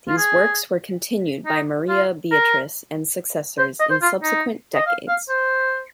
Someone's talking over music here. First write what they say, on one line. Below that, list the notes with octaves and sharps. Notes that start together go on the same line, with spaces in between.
These works were continued by Maria Beatrice and successors in subsequent decades.
F4
G#4
D#4
F4
A#4
C5
D#5
C5
F4
D#4
D#5
F5
F5
C5